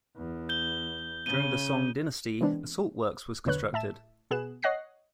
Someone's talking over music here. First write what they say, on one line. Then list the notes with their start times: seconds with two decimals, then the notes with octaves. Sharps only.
During the Song Dynasty, a salt works was constructed.
0.16 E2
0.49 G6 G7
1.26 C#3 D#7 G7
2.41 E3 G#3 B3 C4 D4
3.45 B1 E2 D3 B4 C#5 F#6
3.73 A2 E5 A5 E7
4.31 B2 B3 G#4 F#6 E7
4.62 C#5 D#5 F#5 F#6 A#6 C7